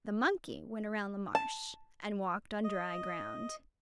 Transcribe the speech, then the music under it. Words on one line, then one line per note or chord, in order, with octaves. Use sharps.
The monkey went around the marsh and walked on dry ground.
A5
D#5